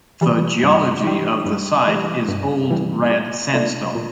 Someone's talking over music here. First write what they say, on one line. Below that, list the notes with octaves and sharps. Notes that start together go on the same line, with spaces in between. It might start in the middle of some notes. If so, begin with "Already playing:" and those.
The geology of the site is old red sandstone.
E3 G3
G2
E3 G3
G2
E3 G3
G2
E3 G3
A#2
A3 D4 F4
A#2